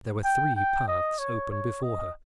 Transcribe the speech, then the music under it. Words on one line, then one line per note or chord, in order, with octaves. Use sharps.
There were three paths open before her.
G5
G5
D#5
C#5
C#5
D#5